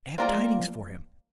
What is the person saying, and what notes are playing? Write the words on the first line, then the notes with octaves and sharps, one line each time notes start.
I have tidings for him.
A#3 C4 F4 A#4 D5
G#3
A#3
F3